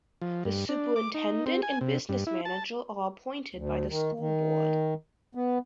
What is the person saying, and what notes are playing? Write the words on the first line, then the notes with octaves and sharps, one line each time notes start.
The Superintendent and Business Manager are appointed by the school board.
F3
G2
D4
D6
D#4
C4
G#5
C3
G2
E4
A5
D2
D#3
D#3
B3